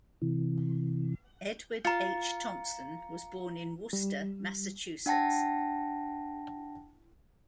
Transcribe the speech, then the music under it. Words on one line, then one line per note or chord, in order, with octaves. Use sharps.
Edward H. Thompson was born in Worcester, Massachusetts.
C3 E3
F4 A#5 C#7
G3
D4 F#5 G5 A5 A#6